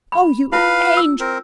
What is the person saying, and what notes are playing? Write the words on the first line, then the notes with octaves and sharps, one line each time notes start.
Oh, you angel!
B5
E4 F4 B4 F5
E6
C4 A#4